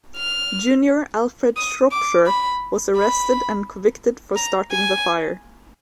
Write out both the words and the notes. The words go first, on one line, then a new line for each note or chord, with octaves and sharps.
Junior Alfred Shropshire was arrested and convicted for starting the fire.
F6
D#6
D6
B5
B5
A#5
G#5